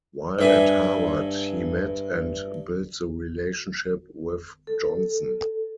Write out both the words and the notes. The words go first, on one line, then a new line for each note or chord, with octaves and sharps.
While at Harvard he met and built the relationship with Johnson.
G2 E5 G#5
A4